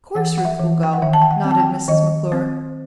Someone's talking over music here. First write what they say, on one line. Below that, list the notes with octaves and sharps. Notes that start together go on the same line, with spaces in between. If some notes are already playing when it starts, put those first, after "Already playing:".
"Of course Ruth will go," nodded Mrs. McClure.
E3 F#5
F#5
E5
E3
G5
F#5
D#3 E5
A5
G5
F#5
C4
A5
G5
D#3 D#5
C4 C5